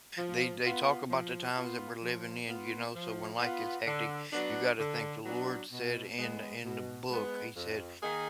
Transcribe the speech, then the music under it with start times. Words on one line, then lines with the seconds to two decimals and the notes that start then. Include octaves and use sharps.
They they talk about the times that we're living in, you know, so when life gets hectic, you gotta think the Lord said in in the book, he said
0.17 F3
0.63 B3 F4
1.09 F3
1.55 B3 F4
2.01 F3
2.47 B3 F4
2.94 F3
3.40 B3 F4
3.86 D3
4.32 F#3 B3 D4
4.78 D3
5.24 F#3 B3 D4
5.70 B2
6.17 G#3 B3
6.63 B2
7.09 G#3 B3
7.56 F2
8.01 D#3 A#3 D#4 G#4